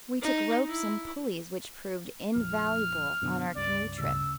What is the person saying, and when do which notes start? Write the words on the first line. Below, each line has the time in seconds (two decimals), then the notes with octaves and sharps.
We took ropes and pulleys which proved invaluable on our canoe trip.
0.22 D#4
0.68 E4
2.36 A#1 F2 F6
3.22 F#2 B2 D3
3.56 C#2 G2 D5
3.99 D2 A2 C#3 E6